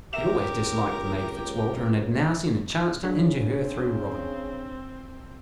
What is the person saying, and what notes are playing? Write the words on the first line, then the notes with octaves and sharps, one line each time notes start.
She had always disliked the maid Fitzwalter; and had now seen a chance to injure her through Robin.
C#2 G4 A#4 E5 E7
C#3 F#3 D4
C4